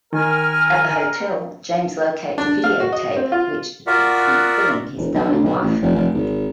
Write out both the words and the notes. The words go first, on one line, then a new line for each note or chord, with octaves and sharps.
At the hotel, James locates a videotape which depicts him killing his dying wife.
D#3 A#4 G#5 F6
D4
F5
F#4
D#5
C4
F4
F4 F#4 A#4 D5 E5 F#5
E1
B1
D2
B1
A1
F1
F1
G#1